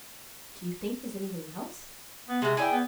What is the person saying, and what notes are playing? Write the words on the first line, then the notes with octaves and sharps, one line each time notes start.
'Do you think there's any one else?'
B3
C3 G#3 F#4
E4 G#4 D5 G5
B3